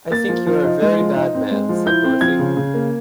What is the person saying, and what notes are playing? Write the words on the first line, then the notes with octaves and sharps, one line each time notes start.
"I think you are a very bad man," said Dorothy.
A#3 A6
F3
F3
D#4
G#3
F3
D#4
C4
G#3
F3
E4 G6
C4
F3 G#6
C#3
C#3
A#3